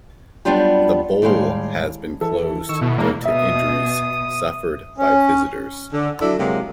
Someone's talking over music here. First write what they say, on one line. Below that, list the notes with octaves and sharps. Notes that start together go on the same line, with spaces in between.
The Bowl has been closed due to injuries suffered by visitors.
F#3 G3 B3 D4 F4 G4
D#2 A2 G3 G#3 F5
E3 A4
D#3 C#6 E6
B2 E4
E1 A#3
B2 E5 D#6
C#4
D3
F#3 D4 E4 A4
C3 F#3 G#3 A#3